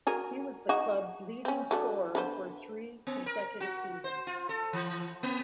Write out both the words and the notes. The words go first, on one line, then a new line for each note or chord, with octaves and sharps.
He was the club's leading scorer for three consecutive seasons.
F#4 G#4 A#4
D#4 F#4 G#4
C4 C#4
F#3 A3 D4
D3 B3 C5
B3
A#4
F#4
C5
F4
A4
E3
A#3